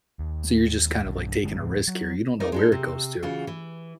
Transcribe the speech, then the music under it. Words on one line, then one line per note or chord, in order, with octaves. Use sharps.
So you're just kind of like taking a risk here, you don't know where it goes to.
D#2
B1 G2
G#1 D3 G#3
D#2 A2 F3 G#3
F#3
D#4 A#4 D5
G#3 D4 D#4
C3
C#3 E3 F4 F#4
E3